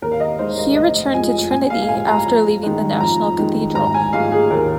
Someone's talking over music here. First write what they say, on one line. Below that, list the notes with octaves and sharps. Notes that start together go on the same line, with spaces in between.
He returned to Trinity after leaving the National Cathedral.
D#2 A#4
F5
D#5
D#3 G#3 C5
D#5
F1 D#5
F2 F3 G#3 G#5
A#1 G#5
F5
F5
A#2 G#3 G#5
A#5
F2
D#3 G#3
F2 A#5
D#3 G#3
G#1 A#5
G#5
G#2 F3 G#3 F5
G#4
D#2 A#4